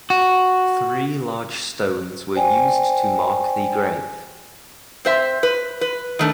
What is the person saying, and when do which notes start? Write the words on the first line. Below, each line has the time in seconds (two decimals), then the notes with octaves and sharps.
Three large stones were used to mark the grave.
0.10 F#4
2.35 C5 D5 G5 G#5
5.05 C4 C5 E5
5.43 B4
5.81 B4
6.19 D#3 A3 D4